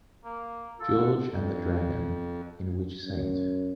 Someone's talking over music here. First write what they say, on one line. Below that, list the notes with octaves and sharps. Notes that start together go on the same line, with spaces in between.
George and the Dragon, in which St..
A#3
F4 A4
F#5
F2
F#2